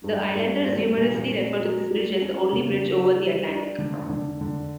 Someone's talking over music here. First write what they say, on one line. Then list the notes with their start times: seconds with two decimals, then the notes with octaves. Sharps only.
The islanders humorously refer to this bridge as the only bridge over the Atlantic.
0.04 G2
0.35 G2
0.66 G2
0.97 A#2
1.28 C#4
1.59 F#3
1.91 G3
2.22 C#4
2.53 C#3
2.85 D4
3.16 G3
3.47 D4
3.78 D3
4.10 D3
4.41 D3